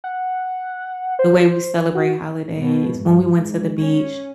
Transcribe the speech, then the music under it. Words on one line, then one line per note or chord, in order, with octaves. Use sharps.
the way we celebrate holidays when we went to the beach
F#5
C5
F#4
B2
G2
G#2
C#4